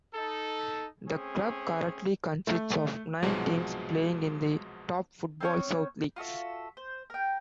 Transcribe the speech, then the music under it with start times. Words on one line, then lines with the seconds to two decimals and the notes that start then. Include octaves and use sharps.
The club currently consists of nine teams playing in the top Footballsouth leagues.
0.14 D#4 A4
1.08 A3 C4 C#4 G#4
2.47 A3
3.23 C2 G#2 B2 F3 F#3 G#3
5.41 C4 C#4 C#5
6.16 F4 F#4 A4 E5
6.77 C5
7.10 A#4 G5